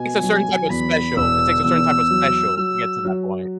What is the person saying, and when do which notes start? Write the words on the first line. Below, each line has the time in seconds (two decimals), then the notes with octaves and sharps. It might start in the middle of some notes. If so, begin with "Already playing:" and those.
It's a certain type of special it takes a certain type of special to get to that point.
Already playing: B2 G#5
0.23 F#3
0.70 E2 B5
1.17 E1 E6
1.64 E2 E6
2.11 F#3
2.57 F#3 E6
3.05 F#3